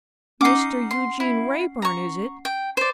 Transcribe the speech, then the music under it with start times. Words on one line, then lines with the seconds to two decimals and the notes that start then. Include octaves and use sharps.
'Mr Eugene Wrayburn, is it?
0.41 C#4 D#4 F#5 D6 C7
0.91 C6
1.20 E4
1.82 A#5 C#6
2.45 G5
2.77 C5 D5